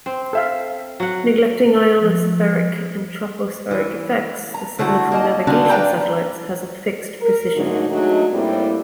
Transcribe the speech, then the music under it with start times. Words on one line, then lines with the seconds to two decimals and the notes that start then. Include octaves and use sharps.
Neglecting ionospheric and tropospheric effects, the signal from navigation satellites has a fixed precision.
0.06 C4
0.33 A4 E5 F5
1.00 F#3 F#5
1.99 F3
3.71 E3
4.54 A#5
4.79 D3 A3 E4 F#4
5.12 A#3 D#5 A5
5.47 D3 D#3 A#3 C#4 D4 F#4
5.70 B4 D5 F5 G5 A5 A#5
7.21 A#4
7.56 G#2 D3 F#3 A3 D#4
7.90 F#3 G#3 A3 D4 D#4 F#4
8.33 A2 G3 A#3 C4 E4